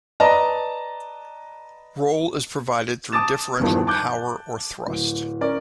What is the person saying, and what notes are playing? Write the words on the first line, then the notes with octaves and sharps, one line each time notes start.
Roll is provided through differential power or thrust.
B4 D5 D#5 A5 A#5
A5 D6 D#6 A6 E7
E2 G2 D#3 F3
A5 D6 F#6 G6
D1
C#4 A#4 D5